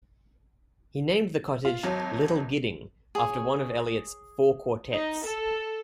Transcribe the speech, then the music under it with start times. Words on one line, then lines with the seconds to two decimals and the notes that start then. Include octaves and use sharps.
He named the cottage "Little Gidding" after one of Eliot's "Four Quartets".
1.65 F4
1.83 G#1 F#3 A5
3.15 G#4 C#5
4.93 D#4
5.24 A4